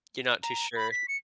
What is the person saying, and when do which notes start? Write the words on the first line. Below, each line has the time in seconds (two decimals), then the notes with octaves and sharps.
You're not too sure.
0.43 A#5
0.76 B5
0.91 B6
1.08 C#7